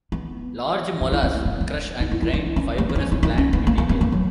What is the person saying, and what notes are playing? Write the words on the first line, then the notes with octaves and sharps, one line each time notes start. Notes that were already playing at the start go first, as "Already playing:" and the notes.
Large molars crush and grind fibrous plant material.
B3
D#4
E4
C#4
A#3
B3
B3
D#4
E4
E4
D#4
C#4
A#3
B3
D#4
C#4
D#4
D#4
C#4
B3
A#3
A#3
B3
A#3
F#3